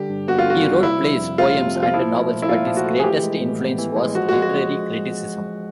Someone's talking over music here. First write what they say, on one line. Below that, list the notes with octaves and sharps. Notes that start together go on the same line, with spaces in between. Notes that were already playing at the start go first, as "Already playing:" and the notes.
He wrote plays, poems, and novels, but his greatest influence was literary criticism.
Already playing: D3 G3 G4
G2
B3 F#4
F4
D3 F#4
G3
C3 E4
F3
F2
A3 F4
C3
F3
F4
F3 E4
A3
A#2
E4
A#2 F4
F3
F#4
A3
G#4
E3 G4
G#3
A2
B3
E3
G#3
F3 F#4
G#3 F#4
F#4